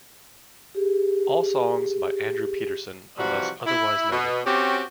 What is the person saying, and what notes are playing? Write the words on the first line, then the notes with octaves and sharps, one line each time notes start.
All songs by Andrew Peterson unless otherwise noted.
G4 G#4
C3 E3 F3 G3 F#4
E4
B2
C4 C#4 F#4 G4